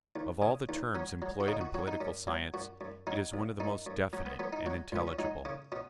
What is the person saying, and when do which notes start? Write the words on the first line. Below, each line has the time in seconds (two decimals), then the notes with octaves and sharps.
Of all the terms employed in political science, it is one of the most definite and intelligible.
0.16 D#2
0.42 C#3
0.69 D#2
0.95 F#3 C#4
1.22 F#3
1.40 F#4
1.48 C#3 D#4
1.61 F#4
1.74 F#3 F#4
1.88 D#4
2.01 F#2 C#4
2.27 F#3
2.54 F#2 F#4
2.81 F#2
3.07 F#3 D#4
3.34 B1
3.60 F#2 D#4
3.86 F#2
4.13 F#3 C#4
4.26 B3
4.39 F#3 B3
4.53 D#4
4.66 F#3 F#4
4.92 C#2 B3
5.07 C#4
5.19 F#3 D#4
5.45 C#3 C#4
5.72 B2 C#4